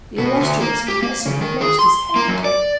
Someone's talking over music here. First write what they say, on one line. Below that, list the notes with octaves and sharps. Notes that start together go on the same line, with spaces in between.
The illustrious professor had lost his head.
B2
D2
A#3
G4
A#3
C#3
D#3
G#4
C6
A#3
F#2
D5